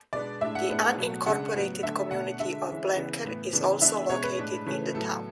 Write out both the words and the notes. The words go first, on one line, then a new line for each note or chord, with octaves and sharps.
The unincorporated community of Blenker is also located in the town.
B2 G#3 B3 D4 D5
A2 G#3 D4 E5
F#5
A2 G#3 B3 D4
B2 F#3 A3
C#3 G#3 D4 F#5
A2 F#3 B3
D3 A3 D4 E5
B2 A3 D4 F#5
D3 G#3 D4 E5
E3 G#3 C#4
C#3 E3 B3
A2 E3 B3
C#3 E3 B3 D4
E3 G#3 B3 D4 E5
B2 G#3 C#4 C#5
B4
A2 G#3 D4
C#3 E3 A3 C#4
A2 F#3 B3 A4